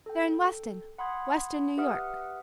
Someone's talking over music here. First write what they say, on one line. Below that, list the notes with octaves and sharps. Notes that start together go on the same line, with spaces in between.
"They're in Weston--Weston, New York."
A4 G5
F#5 B5 C6 D#6 G#6
G4 B4 E5 F#5 D#6 F6